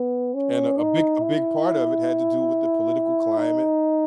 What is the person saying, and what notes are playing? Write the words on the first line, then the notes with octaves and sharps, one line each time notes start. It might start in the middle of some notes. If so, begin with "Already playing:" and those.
and a a big a big part of it had to do with the political climate
Already playing: B3
C#4
D#4
E4
D#4